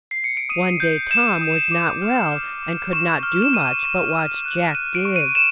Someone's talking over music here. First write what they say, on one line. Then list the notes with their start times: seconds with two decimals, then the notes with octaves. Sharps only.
One day Tom was not well and could not do much but watch Jack dig.
0.11 C7
0.24 C#7
0.37 D7
0.49 D#6 D#7
0.80 G6
1.11 G6 E7
1.41 D#6
1.71 D6
2.02 F6
2.32 F6
2.63 D6
2.93 C#6 E7
3.23 F6
3.42 E7
3.53 F6 D#7
3.84 C#6
4.14 C#6
4.45 F#6
4.74 F#6 D#7
4.95 D7
5.05 C#6
5.16 D#7
5.35 E7